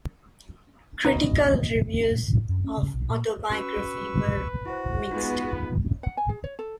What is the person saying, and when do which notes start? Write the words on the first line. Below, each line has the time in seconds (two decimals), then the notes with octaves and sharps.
Critical reviews of "Autobiography" were mixed.
1.05 D2 B2 D#4 B4 D#5 A#5
2.00 D4
2.14 A#2
2.28 A2
2.49 F#2
2.64 C#4
2.77 C#3
2.94 B1
3.10 A#2
3.51 C#4 F#4 B4 C#6 E6
4.65 E4 F#4 C5
5.11 G#3 B3 D#4 F4 B4
6.03 F#5
6.17 G#5
6.29 G#4
6.44 C#5
6.59 A4